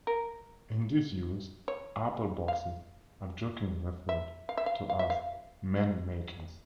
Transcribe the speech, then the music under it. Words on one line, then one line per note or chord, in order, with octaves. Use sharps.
In this use Apple Boxes are jokingly referred to as "Man Makers".
A#4
C#5
F5
E5
F5
E5
F5
F5
E5
F5